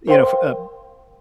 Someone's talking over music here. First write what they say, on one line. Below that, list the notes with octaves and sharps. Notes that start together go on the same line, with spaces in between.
you know, f uh
A#4 C5 F5 G5 C6